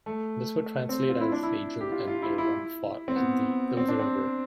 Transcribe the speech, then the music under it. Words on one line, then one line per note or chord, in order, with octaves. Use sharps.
This would translate as "Aigil and Ailrun fought at the Ilz river".
A3
C4
F4
E4
D4
E4
G4
F4
F4
E4
E4
C4
B3
C4
D4
C4